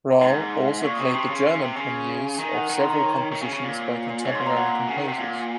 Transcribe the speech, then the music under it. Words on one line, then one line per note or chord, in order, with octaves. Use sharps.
Rauh also played the German premieres of several compositions by contemporary composers.
A#5
G#2 C6
A#2 C#6
D#6
C3 C#6
C3 C6
C#3
C#3
C3
C#3
D#3 G#5
F#5
D#3 A#5
C6
A#5
C#5
D#3
C#3
C#3
A#2
G#2 C#5
C6
A#2
A#5
A#2 F#5
C#3
D#3
C3
A#2